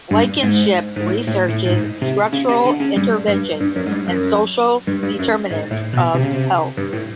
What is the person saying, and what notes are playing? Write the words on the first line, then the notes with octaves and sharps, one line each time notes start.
Blankenship researches structural interventions and social determinants of health.
G2
G#2
G#2
A2
A2
A2
A2
G#2
C3
C#3
C3
D3
C#3
G2
G2
G2
F#2
G#2
G2
F#2
G2
G2
F#2
G#2
A2
B2
C3
C#3
C3
G2
A2